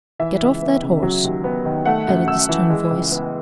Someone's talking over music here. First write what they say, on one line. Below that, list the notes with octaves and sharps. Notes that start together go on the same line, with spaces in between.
"Get off that horse," added the stern voice.
E3 E5
C#2
B3
C#3
F#3
D#2
B3
D#3
A3 F#5
F#2
F#2 E6
E3
G#3
C#2
B3